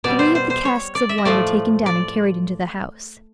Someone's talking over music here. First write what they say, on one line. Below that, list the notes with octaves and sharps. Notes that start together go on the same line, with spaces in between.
Three of the casks of wine were taken down, and carried into the house.
B2 G3 D5
C5
C5
C5
C#5
D5
E5
D#5
A2 F3 A3 D5
D5